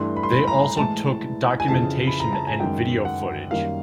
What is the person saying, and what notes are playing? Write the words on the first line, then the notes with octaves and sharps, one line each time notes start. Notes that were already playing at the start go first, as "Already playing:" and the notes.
They also took documentation and video footage.
Already playing: G2 E3 A3 C6
B5
C6
B5
A#5
A2 E3 G#3 A5
G#5
F2 C#3 E3 A5
B5
A#5
A5
G#5
F#2 D#3 G#3 G5
F#5
F#2 D#3 G3 A#3 F5